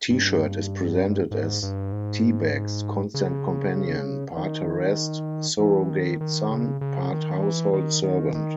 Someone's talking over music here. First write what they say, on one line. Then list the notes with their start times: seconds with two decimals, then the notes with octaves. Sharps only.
T-Shirt is presented as T-Bag's constant companion, part harassed surrogate son, part household servant.
0.10 G2
1.31 G#2
1.63 G2
1.92 G#2
3.14 C#3
4.36 D#3
5.59 E3
5.90 D#3
6.21 D#3
6.51 C#3
6.81 C#3
7.13 D#3
7.42 E3
7.73 D#3
8.03 D#3
8.35 D#3